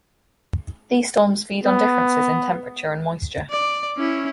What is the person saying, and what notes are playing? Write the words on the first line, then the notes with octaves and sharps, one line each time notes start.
These storms feed on differences in temperature and moisture.
B3
D5
C#4 E4